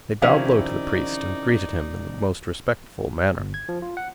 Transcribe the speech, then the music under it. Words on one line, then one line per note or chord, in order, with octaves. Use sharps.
They bowed low to the priest, and greeted him in the most respectful manner.
C3 D#3 F3 C#4 D#4 E4 D5 F5
G1
G#6
F3
F4
F#5